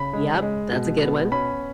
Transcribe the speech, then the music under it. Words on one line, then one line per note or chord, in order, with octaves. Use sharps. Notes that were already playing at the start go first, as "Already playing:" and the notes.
Yep, that's a good one.
Already playing: C#3 B5
G#3
G#3
B2
B3
C#4 B5